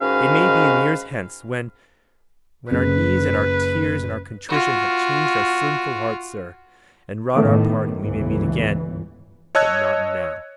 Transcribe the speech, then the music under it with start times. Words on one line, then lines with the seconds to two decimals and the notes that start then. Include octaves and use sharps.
It may be, in years hence, when--when our knees and our tears and our contrition have changed our sinful hearts, sir, and wrought our pardon, we may meet again--but not now.
0.01 G#2 D#3 C#4 F#4 B4 F5
2.71 F#1 B4
4.49 F4 F#4
7.35 A2 D#3 A3 B3 D6
8.00 G1 C#2 E3
9.55 C#5 D#5 A5 E6 F#6 G#6